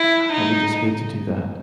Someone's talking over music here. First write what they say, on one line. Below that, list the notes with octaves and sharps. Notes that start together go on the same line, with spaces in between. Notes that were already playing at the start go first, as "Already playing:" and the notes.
I I would just hate to do that.
Already playing: E4
D#4